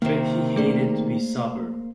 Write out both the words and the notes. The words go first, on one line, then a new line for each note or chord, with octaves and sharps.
But he hated to be sober.
C3 D#3 A#3 C5
A3 G#4 D5